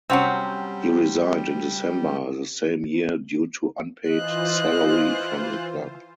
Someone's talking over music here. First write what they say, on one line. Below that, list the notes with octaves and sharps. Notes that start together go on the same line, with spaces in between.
He resigned in December the same year due to unpaid salary from the club.
C3 F#3 G3 C4 C#4 F#5
E3 F4 C5 D#5 F#6